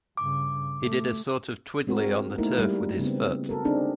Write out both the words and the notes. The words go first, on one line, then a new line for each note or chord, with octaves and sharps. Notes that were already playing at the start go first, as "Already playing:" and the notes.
He did a sort of twiddly on the turf with his foot.
G2 C#3 D6
A3
G#3 C4 F#4 A#4
A3 A#3 D#4 E4 A#4
G3
C#3 B3 C4
F#4 A4 A#4
C4 D4 D#4 G#4